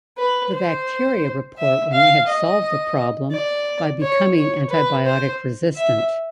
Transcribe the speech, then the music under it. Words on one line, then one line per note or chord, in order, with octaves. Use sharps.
The bacteria report when they have solved the problem by becoming antibiotic resistant.
B4
C5
E5
F5
D#5
D5
C#5
C#5
B4
C5
E5